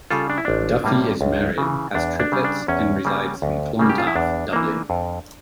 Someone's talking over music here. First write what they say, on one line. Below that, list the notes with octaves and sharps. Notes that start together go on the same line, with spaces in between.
Duffy is married, has triplets and resides in Clontarf, Dublin.
C#3 G3 F4 A4
D4
E4
A1 D4
A2 G3 A#3
C#2
C#3 E3
E2 D4
D4
C#3 G3
D4
E2 C#4
C#3 G3 A#3
D2
C#3 G3 A#3
G4
F4
E4
E2 D4
E3 A#3
F2